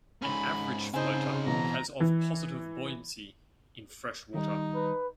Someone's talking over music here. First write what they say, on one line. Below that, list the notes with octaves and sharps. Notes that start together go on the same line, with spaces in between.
An average floater has of positive buoyancy in fresh water.
G#2 C#4 B5
C#3 C4 D#4 C5 D#5 G#5
B2 E3 A#5
E3
D#3 G3 D#4
B4